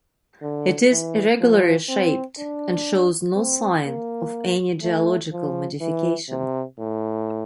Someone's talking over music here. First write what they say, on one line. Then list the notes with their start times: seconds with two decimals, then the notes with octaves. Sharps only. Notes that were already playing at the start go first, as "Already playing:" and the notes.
It is irregularly shaped and shows no sign of any geological modification.
0.42 D3
0.91 E3
1.41 F3
1.89 C4
2.38 D4
3.36 C4
3.85 A#3
4.82 A3
5.32 F3
5.81 E3
6.29 C3
6.78 A2